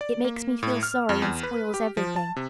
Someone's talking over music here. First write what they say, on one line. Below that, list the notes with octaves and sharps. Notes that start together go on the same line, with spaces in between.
It makes me feel sorry and spoils everything.
D5
A#3
A2
F6
F2
E2
B4
G4
F3
A5
C3